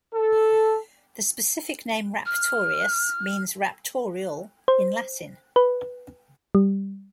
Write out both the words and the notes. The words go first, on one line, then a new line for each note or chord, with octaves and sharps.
The specific name "raptorius" means "raptorial" in Latin.
A4
F6
C5
B4
G3